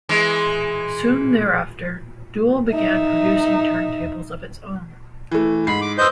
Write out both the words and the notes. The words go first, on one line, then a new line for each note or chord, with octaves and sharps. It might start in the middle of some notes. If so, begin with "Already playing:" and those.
Soon thereafter, Dual began producing turntables of its own.
E3 G#3
D#4 E5
E3 A3
G#2 B5 C7
D6
B4 C5 D#5 E6 G6